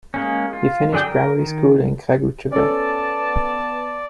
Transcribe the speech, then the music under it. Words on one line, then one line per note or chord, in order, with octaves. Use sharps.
He finished primary school in Kragujevac.
G#3 A#3 C#4
F4
D3 F#3 G#4 D5 G5
A#4
D#3
B3 C#4 A4 B4 D5 A5